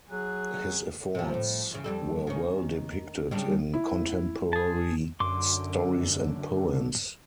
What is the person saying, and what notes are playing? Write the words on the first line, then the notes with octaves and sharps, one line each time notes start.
His efforts were well depicted in contemporary stories and poems.
F#3 G#4 F#6
C3 F3
A2
E2 C#3
F2 G3 A4
D#3 C#4
C#3 G3 D4
E4
G#4 A5
F#2 D3 C6 D6